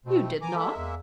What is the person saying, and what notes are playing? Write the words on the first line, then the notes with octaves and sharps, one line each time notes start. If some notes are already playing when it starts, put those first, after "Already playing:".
"You did not."
B2 A3 C4
E3 G#5 A#5 D6
G#3 A#3 A4 E5
E2